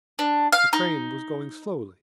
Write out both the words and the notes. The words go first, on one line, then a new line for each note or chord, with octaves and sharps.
The train was going slowly.
D4
F5
D#4